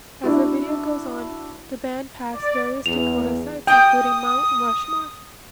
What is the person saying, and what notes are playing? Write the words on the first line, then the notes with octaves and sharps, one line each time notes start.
As the video goes on, the band pass various Dakota sights including Mount Rushmore.
D4 E4 F#4
D5
E2 F7
G5 D#6